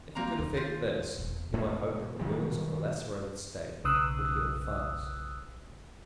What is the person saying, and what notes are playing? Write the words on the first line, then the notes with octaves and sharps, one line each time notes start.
If he could effect this, he might hope that the wounds of the lacerated State would heal fast.
A#3 C4 A#5
D#2
F4 C5
E1 A#2
G#2 B2 D3 G#3
D#3 F#3 G3
B1 C#3 D#6 E6 F#6